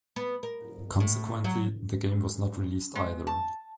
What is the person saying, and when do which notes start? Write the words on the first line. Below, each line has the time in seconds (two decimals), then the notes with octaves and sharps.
Consequently, the game was not released either.
0.16 B3
0.43 A#4
1.00 A2
1.44 F#3
2.95 G#3
3.27 A5